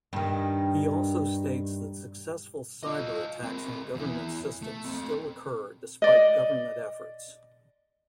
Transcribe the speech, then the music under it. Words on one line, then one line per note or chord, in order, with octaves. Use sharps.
He also states that successful cyber-attacks on government systems still occur despite government efforts.
G2 D#3
F4 D#5
C4 A#4
E2 E3
A3
C4 A4
D5 D#5